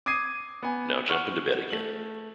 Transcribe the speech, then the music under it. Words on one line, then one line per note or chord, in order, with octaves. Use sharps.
Now jump into bed again.
D6 D#6 G#6 C7 D#7
B3 G#5
F#5 C#6 F6
A3 F#7